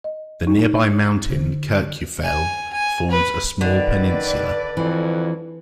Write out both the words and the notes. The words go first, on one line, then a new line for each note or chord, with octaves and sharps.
The nearby mountain Kirkjufell forms a small peninsula.
D#5
D#4
D3
G#5
G#5
B4
D3 D#3 B4 D5
F2 E3